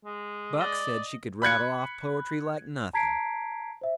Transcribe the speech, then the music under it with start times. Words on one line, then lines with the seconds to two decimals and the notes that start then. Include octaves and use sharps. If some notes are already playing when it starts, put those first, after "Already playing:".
Buck said she could rattle off poetry like nothing.
0.05 G#3
0.61 D5 D#5
1.42 B5 F#6 G#6 C#7
2.93 A5 A#5 G#6 B6 C7 D7
3.81 C5 E5